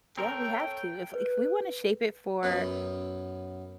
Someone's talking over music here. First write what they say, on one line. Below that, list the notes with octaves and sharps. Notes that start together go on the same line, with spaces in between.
Yeah, we have to. If if we wanna shape it for,
C4 A4 A#4 C#5 G5
B4
F#2 F#3 B3